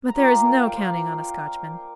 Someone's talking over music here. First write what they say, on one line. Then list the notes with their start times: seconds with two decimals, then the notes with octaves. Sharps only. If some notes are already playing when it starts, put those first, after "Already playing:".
But there is no counting on a Scotchman.
0.08 A#5
0.17 A#3 D4 F4 D5 G5
0.31 C5 F5
0.45 A#4 D5
0.60 F5
0.67 G5
0.73 A#3 F4 C5 F5